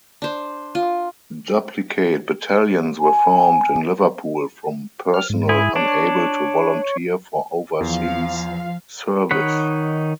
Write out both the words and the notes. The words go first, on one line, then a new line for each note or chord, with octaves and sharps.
Duplicate battalions were formed in Liverpool from personnel unable to volunteer for overseas service.
D4 C5
F4
G#5
F6
G#2
E4 G#4
D4 C#5
E2 F3 F5
D#3 D#4 C#5 F#5 B5